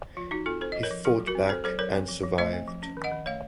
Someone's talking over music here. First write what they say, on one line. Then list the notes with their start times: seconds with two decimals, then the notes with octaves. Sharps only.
He fought back and survived.
0.17 F3 F4
0.31 F3 D#4 F#4
0.46 C4 F4 A4
0.61 C4 A4 C5
0.72 F3 D#5
0.83 A#4 C#5
0.91 F3
1.05 F#3 F4 A4
1.20 F#3
1.27 F#4 A#4
1.35 C4
1.49 C4 A4 C5
1.64 F#3 A4 C5
1.79 F#3 A#4 C#5
1.93 C4
2.09 F3
2.23 F3
2.38 A3 C5 D#5
2.53 C4
2.67 F3
2.83 C#4
2.97 D#3
3.04 D#5 F#5
3.12 D#3
3.26 A3 C#5 F5